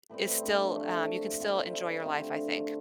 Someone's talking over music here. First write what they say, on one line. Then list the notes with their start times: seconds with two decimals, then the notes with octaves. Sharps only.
is still, um you can still enjoy your life, I think.
0.09 A2 G3 C4 B4
0.26 C4
0.43 D4
0.75 A2 F3 A3
1.40 C3 G3 C4 F4
1.73 E4
2.05 D3 A3 C4 F4